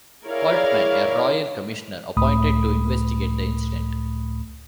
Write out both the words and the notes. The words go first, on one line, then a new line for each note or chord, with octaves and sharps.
Coltman, a Royal Commissioner appointed to investigate the incident.
E4 G#4 A#4 C#5 D5 F5
C#2 A2 A3 B5 D#6